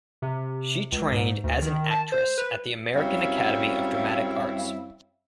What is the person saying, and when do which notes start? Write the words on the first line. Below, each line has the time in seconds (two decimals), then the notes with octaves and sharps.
She trained as an actress at the American Academy of Dramatic Arts.
0.22 C3
0.92 C#2
1.12 G#2
1.44 D2
1.62 D#3
1.91 A5
2.12 C5
2.38 B4
2.96 F#2 G3 C4 E4 C#5 F5